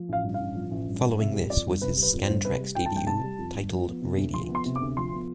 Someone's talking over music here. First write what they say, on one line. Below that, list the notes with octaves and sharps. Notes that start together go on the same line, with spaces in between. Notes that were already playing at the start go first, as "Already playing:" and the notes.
Following this was his Scantraxx Debut titled "Radiate".
Already playing: F3
A1 F5
G2
A1 F5
F3
A1
G2
A1
C3 E5
G3
F2 D5
G1
C3 B4
G3
B4
F2
C5
G1
C3 B4
G3
F2 G5
A5
G1
G5
C3 A5
G3
F2
G1
F3
B3
C3
D2
F3 C6
B3
C6
C3
D6
D2
F3 C6
B3